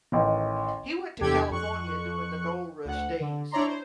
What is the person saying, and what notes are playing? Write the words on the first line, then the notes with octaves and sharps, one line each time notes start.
He went to California during the gold rush days.
A1 D#3
E2 C3 D4 G4 A4 G#6
F2 C#6 F#6
D2 F#5
D3
D4 E4 C#5 D5 A#5 C6
C5